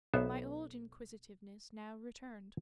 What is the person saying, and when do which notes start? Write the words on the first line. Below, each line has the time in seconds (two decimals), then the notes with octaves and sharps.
My old inquisitiveness now returned.
0.14 B1 B3 C5 E5